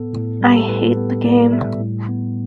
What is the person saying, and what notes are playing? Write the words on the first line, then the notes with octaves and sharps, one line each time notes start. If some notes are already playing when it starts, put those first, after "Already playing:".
I hate the game.
Already playing: A2 B3 A4
A2
G3 G4
A4
A2 B4
B3
A2 D5
G3 E5
A2
B3